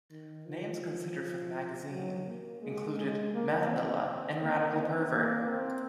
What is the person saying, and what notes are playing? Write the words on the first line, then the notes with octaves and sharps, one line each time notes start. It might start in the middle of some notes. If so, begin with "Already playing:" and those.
Names considered for the magazine included "Mandala" and "Radical Pervert".
D#3
F3
F3
F#3
A#3
G#3
G#3
A#3
C4
A#3
C4
A#3
C4